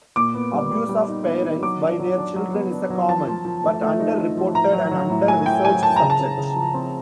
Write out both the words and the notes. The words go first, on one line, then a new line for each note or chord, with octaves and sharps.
Abuse of parents by their children is a common but under-reported and under-researched subject.
A#2 D6
B3
G3
G3
G3
D#4
B3
D#4
F#3 D6
D4
F#3
D4
F#3
B3
D4
F#3
F3 A5
F3
F3
A3
A3
D#4
A3
F3
A2 A#5
F#3
F#3
A2
A3 G#5
A2 G5
F#3 G#5
F#3 A5
A#5
C#3
A5
C#3
C#3
F3
C4